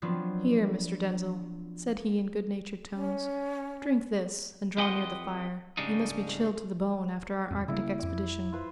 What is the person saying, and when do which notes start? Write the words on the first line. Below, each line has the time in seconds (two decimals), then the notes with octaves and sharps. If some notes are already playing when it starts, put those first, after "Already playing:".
"Here, Mr. Denzil," said he in good-natured tones, "drink this and draw near the fire; you must be chilled to the bone after our Arctic expedition."
0.02 F3 F#3 B3 C4 D4 F4
2.93 C#4
4.78 F2 G4 B4 D#5 F#5 C6
5.77 G#2 C#3 G3 D4 D#4
7.51 D1 F2
7.68 C#3 G3 A#3 E4
8.03 F2 D6
8.52 F4 B4 C5